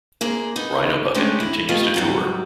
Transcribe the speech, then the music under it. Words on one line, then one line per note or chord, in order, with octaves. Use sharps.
Rhino Bucket continues to tour.
D2 A#3 G#4
B3 D#4
G#3 A3 C#4 D4 G4
E4
G3 A3 B3 F4 D#5
G#2 F#3 G3